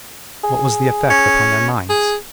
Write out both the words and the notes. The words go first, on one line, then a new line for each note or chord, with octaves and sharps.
What was the effect upon their minds?
G#4
C#4
G#4